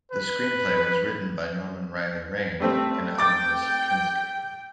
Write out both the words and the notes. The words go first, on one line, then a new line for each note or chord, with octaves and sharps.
The screenplay was written by Norman Reilly Raine and Aeneas MacKenzie.
B4
G3 A3 C4
G5 D6 A6